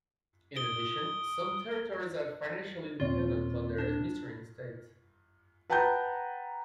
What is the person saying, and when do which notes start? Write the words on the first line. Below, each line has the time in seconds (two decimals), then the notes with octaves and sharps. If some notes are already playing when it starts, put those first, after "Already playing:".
In addition, some territories are financially dependent on their administering state.
0.56 D#6 D7 G7
3.00 D#1 C4 F4 C#5
3.78 D4
5.70 B4 F#5 G5 A5 A#5 G6